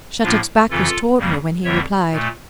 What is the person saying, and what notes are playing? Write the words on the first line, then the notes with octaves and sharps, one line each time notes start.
Shattuck's back was toward her when he replied.
A2 F3 A#3 D4 F4
F2 C#3 E3 F4 A4
F2 C#3 G3 A#3
F2 D3 G3 A#3 C#5 E5
A#2 A3